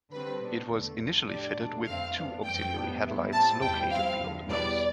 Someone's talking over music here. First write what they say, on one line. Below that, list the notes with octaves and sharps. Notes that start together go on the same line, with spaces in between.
It was initially fitted with two auxiliary headlights located below the nose.
D3 G3 C4 B4
B2 B3 D4
E2 D3 A3
E2 D3 F3
A2 G3 D4 D5
E2 B2 A3 D4
F2 D3 A3 C4 E4 F5
G2 E3 B3 D4
F2 E3 A3 G5
A2 G3 B3 D4
G2 E3 B3 E4
A2 G3 C4 E4 A5
E2 C3 G3 C4 E4 G5
G2 F3 C4 E4 F5
E2 D3 F3
E2 B2 G3 B3 E4 D5